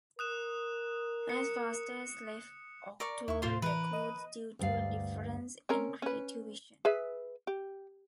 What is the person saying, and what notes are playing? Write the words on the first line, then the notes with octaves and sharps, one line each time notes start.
As Fast As left Octone Records due to "a difference in creative vision".
A#4 D#6 F#6 E7
C#7
A#4 D5 C#6
D#2 E4 C#6
A2 C3 F4 C5
E3 A#4 B4
D#5
D2 G2 D5 F5
C4 C#4 A#4
C#4 B4
G#4 B4 E5
G4